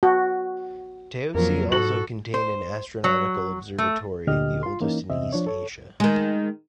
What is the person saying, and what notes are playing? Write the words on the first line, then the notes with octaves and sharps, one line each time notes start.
Taosi also contained an astronomical observatory, the oldest in East Asia.
F#4
F2 F3 F#3 A#3 A#4
G#2 F#4 A4 F#7
C5
F#3
A3
D2 A#2 D3 G4 D#5 F6
F4 C6
E3 A#3 C#4 D#4
E2 C3 C4 D#5 E5
F3 D4 C#5
A4 C#5
D#3 G#3